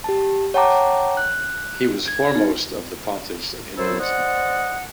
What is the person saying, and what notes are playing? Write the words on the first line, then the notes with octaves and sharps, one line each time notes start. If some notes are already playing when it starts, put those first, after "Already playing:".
He was foremost of the pontiffs of Hinduism.
G4 A5
C#5 F#5 G5 A5 A#5 D6
F#6
G#6
D#4
F#2 F#3 E4 A4 C5
C5 D5 D#5 F#5